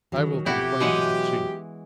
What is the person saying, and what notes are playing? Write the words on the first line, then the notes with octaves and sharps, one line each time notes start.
I will complain to the Chief.
G2 D#3 F#3
F2 B2 E4 F#4 G4
E3 F#3 G#3 F#5